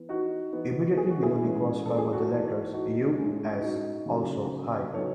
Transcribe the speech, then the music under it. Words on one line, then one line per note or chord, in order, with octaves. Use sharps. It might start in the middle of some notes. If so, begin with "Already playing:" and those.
Immediately below the crossbar were the letters "U S", also high.
Already playing: E3 B3
D#4 F#4
E3 B3 D#4
G#4
F#4
E4 G#4
A2 E3 G#3 C#4
A4
G#4
F#4 A4
E3 A3 D#4
D#4 F#4
A2 G#3 C#4
D#4 F#4
C#3 F#3 A3 C#4
C#3 F#3 B3 D#4 A4 C#5